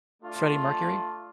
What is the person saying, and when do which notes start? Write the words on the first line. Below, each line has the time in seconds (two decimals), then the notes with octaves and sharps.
Freddie Mercury?
0.23 A3 D4 F4